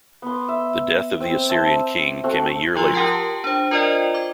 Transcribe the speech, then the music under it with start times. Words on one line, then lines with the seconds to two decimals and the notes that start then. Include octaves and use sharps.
The death of the Assyrian king came a year later.
0.22 B3 C6
0.49 E5
1.20 C4 G5
1.49 C4 C5 E5 A5
2.24 A3 C4 F#4
2.76 F3 F4 C6 E6 F#7
2.94 G4 A#4 F#5 G5 A5
3.07 A5
3.44 D4 C5
3.71 F4 A#4 C5 D5 D#5 G5
4.14 D6 G#6